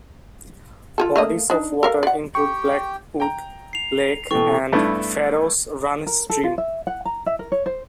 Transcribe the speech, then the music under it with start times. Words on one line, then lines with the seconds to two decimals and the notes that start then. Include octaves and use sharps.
Bodies of water include Blackwood Lake and Farrows Run stream.
0.98 F4 G#4 A4
1.16 A3 A#3 D#5
1.50 D4 D#4
1.83 A4 A#4 F5
2.03 D5 F#5
2.35 G4 G5 C#6
3.20 G5 A#5
3.73 C7 F7
4.31 B2 E3 A4 G5 C#6
4.73 G2 A3 B3 D4 E4
6.07 A#4
6.30 A4
6.44 F4
6.58 E5
6.87 F#5
7.05 A#5
7.26 E5
7.39 A#4
7.52 C#5
7.66 C5